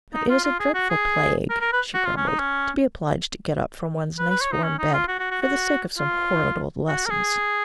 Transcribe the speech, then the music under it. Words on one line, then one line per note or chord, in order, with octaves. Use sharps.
"But it is a dreadful plague," she grumbled, "to be obliged to get up from one's nice warm bed, for the sake of some horrid old lessons!"
D#4
F4
F4
G#4
F#4
G#4
A#4
A#4
B4
F#4
F4
C#4
D#4
C#4
B4
B4
C#5
D#4
C#4
D#4
F4
F#4
F#4
F#4
F#4
F4
F#4
A#4
G#4